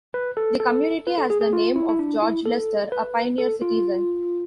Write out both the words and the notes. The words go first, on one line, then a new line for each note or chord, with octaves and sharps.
The community has the name of George Lester, a pioneer citizen.
B4
A4
A4
B4
A4
G#4
G#4
F4
E4
E4
D4
E4
A4
B4
A4
F4